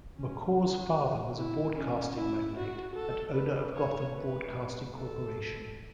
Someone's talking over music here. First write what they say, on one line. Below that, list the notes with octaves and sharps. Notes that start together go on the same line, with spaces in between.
McCaw's father was a broadcasting magnate and owner of Gotham Broadcasting Corporation.
C#4
F#4
E4
C#4
E4
F#4
A4
B4
C#5
B4
A4